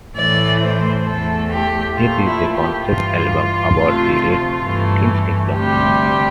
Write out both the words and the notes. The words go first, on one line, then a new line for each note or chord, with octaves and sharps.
It is a concept album about the Red King's kingdom.
A2 E3 A3 D5
C5
E2 E3 A3 A4
G4
A#2 F3 A3 F4
E4
G4
G2 E3 G3 F4
D2 C3 F3 A3
G2 E3 A3
D2 C3 G3 G4